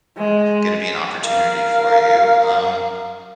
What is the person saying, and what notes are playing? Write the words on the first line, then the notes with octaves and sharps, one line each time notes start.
gonna be an opportunity for you. Um,
G#3
A#4 F5